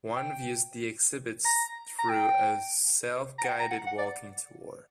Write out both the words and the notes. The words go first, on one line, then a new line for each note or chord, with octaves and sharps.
One views the exhibits through a self-guided walking tour.
G5
A#5
A#5
G5
A#5
F#5
G5
A#5
F#5
F#5
D5